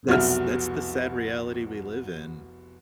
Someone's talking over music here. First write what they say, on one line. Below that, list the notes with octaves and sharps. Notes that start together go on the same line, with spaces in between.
That's that's the sad reality we live in.
F1 C2 B2 F#3 E5 F6